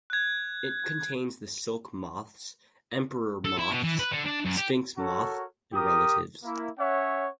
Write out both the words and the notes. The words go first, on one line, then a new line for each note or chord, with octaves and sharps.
It contains the silk moths, emperor moths, sphinx moth, and relatives.
F#6 G#6
A4
E4
B2
E3
B4
D3
D4
F#2
G4
F#4 A4 A#4 C#5
G4 A#4 D#6
A#3 E4
C#4 C#5 E5 F#5